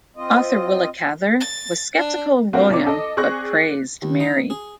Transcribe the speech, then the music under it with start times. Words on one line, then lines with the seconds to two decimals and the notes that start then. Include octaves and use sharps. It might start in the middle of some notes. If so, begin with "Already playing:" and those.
Author Willa Cather was skeptical of William but praised Mary.
0.17 C4 F4 D#5
1.40 A6
1.96 D4
2.53 A3 C4 D4 F#4 A#4 F5
2.70 C2 C3 C#5 D5 D6
2.87 A4 D#5
3.17 C4 G#4 D5 C#6 F#6 A#6
4.02 D#2
4.20 D#4
4.50 G#4